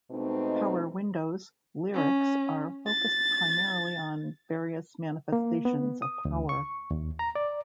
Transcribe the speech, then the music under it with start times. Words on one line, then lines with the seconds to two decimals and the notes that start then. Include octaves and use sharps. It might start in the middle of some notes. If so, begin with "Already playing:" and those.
"Power Windows" lyrics are focused primarily on various manifestations of power.
0.11 B2 G#3 A3 C4 D#4
1.94 C#4
2.87 A6
5.33 A#3
5.65 B3
6.02 D#6
6.25 D2
6.49 C#6
6.91 D#2
7.19 A#5
7.35 D5